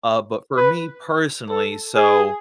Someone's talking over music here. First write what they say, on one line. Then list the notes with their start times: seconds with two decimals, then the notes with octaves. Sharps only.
Uh, but for me personally, so,
0.57 B4
1.49 A4
1.95 G#4